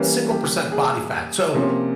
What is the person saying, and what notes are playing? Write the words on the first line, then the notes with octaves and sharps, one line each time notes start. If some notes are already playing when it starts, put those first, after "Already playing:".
single percent body fat. So,
Already playing: E3 G3 A#3 C#4
G4
G#4
C3 F3 A#3 C#4